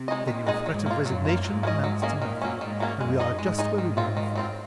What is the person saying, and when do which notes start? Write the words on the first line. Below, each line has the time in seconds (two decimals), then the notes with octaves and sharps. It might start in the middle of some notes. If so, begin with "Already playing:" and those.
"Then your threat of resignation amounts to nothing, and we are just where we were before."
Already playing: C3
0.08 G#3 D#4 G#4 D#5
0.27 A#2 D#3
0.47 G#3 D#4 G#4 D#5
0.66 G#2 F#3
0.86 A#3 F4
1.05 F#2 F#3
1.25 A#3 F4
1.44 G#2 F#3
1.63 A#3 C#4 G#4 D#5
1.84 G#2 F#3
2.02 A#3 C#4 G#4 D#5
2.22 A#2 D#3
2.42 F#3 A#3 C#4
2.61 G#2 D#3
2.80 F#3 A#3 C#4
3.00 F#2 G#3
3.19 D#4 G#4 D#5
3.39 G#2 G#3
3.59 D#4 G#4 D#5
3.78 G#2 D#3
3.97 F#3 C4 F4
4.17 D#3
4.35 F#3 C4 F4